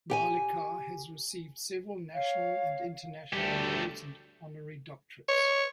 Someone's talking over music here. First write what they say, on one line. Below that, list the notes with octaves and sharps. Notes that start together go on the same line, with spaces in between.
Narlikar has received several national and international awards and honorary doctorates.
G4 G5 G#5
C#5 F5
D2 G3 A3 G4
C#5